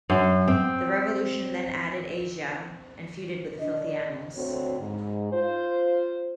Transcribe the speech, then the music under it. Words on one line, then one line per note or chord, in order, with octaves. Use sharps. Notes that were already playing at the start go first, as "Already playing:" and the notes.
The Revolution then added Asya and feuded with The Filthy Animals.
F#2
C4
D4 D#5
D2 D3 C4 F#4 C5 C#5
G#2
F4 C5